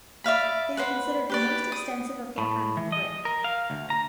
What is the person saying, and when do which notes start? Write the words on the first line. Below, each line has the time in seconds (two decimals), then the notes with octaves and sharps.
They are considered the most extensive of their kind in Britain.
0.24 D5 E5 F5 B5
0.77 B4 C5 F#5
1.30 G4 B4 D5
1.72 D#6
2.38 A2
2.77 E3
2.92 D#5
3.25 A#4
3.44 F5
3.70 D2
3.90 A#5